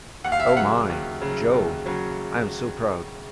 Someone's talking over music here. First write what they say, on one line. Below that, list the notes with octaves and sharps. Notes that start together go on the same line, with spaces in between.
O my, Jo, I am so proud!
D#2 F#5
F5
E5
F5
C#3 F#3 F#5
D#2
C#3 F#3
D#2
C#3 F#3